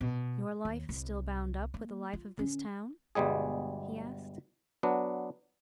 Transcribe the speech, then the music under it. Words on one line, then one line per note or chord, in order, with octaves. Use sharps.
"Your life is still bound up with the life of this town?" he asked.
B2
D#2
C2
A#3
F4
D3 C#4
G1 B2 G3 G#3 G#4
F#3 B3 D4